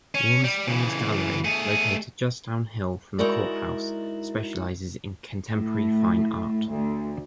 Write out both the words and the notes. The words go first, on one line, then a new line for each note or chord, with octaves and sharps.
Warm Springs Gallery, located just downhill from the courthouse, specializes in contemporary fine art.
C#4
G3
C#3 E3
A3 G#4
G#3 D#4 E4 F#4 A#4 D5
A2
D2